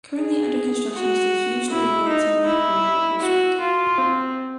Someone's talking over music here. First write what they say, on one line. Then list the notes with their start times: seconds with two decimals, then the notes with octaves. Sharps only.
Currently under construction is the huge new Royalton Negril Resort.
0.18 G#4
0.94 F#4
1.70 E4
2.08 D#4
2.47 E4
3.22 F#4
3.61 F4
3.98 C4